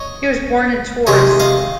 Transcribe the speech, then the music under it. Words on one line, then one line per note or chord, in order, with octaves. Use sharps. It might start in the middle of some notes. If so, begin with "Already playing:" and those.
He was born in Tours.
Already playing: C#5 D#5
C3 D#3 G#3 C#5 D#5
D#5 F5